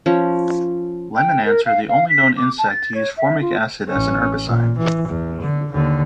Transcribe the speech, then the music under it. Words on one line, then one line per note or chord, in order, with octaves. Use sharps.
Lemon ants are the only known insect to use formic acid as a herbicide.
F3 C#4
G5
A#4
F5
F5
B6
D6
A5
A6
C#5
E5
F4
A1 C#4
A#2
E3
E2
D3
D#2 D3